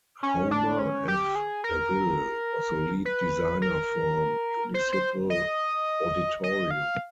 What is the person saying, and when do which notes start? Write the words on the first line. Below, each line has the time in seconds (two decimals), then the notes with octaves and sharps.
Homer F. Neville was the lead designer for Municipal Auditorium.
0.23 C#4
0.51 D4
0.79 C#4
1.08 G4
1.35 G#4
1.64 A#4
3.05 B4
3.62 A#4
4.74 C5
4.92 C5
5.30 D#5
6.43 D#5
6.71 F5